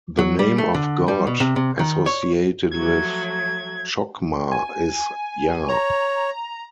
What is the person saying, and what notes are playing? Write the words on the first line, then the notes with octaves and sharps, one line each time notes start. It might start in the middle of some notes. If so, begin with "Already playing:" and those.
The name of God associated with Chokhmah is Yah.
F#3
G3
A3
D3
G3
B2
C3
C3
D#3
C#5
F3 F#3 A3 G#6
G#5
C#5 A#5